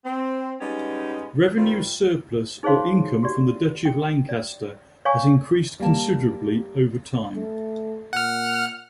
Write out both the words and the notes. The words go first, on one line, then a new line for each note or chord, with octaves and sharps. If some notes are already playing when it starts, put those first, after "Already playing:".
Revenue surplus or income from the Duchy of Lancaster has increased considerably over time.
C4
G3 G#3 B3 C#4 D#4
D#3 G3 C4 F4
D#4 G#4 C5 C#5 F5 C6
F#4 G4 D5
G5
D5
C#5 D5 F5 G#5 C#6
G3 A#3 G5 A5
A3
A#2 F#5 F6